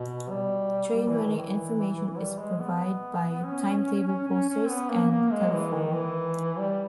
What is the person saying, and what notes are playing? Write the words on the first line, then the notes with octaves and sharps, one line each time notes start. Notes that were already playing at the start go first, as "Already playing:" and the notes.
Train running information is provide by timetable posters and telephone.
Already playing: B2
G3
G3
E3
D#3
E3
G3
G#3
B3
C#4
C#4
C#4
C#4
B3
A#3
A#3
G#3
E3
D#3
E3
G3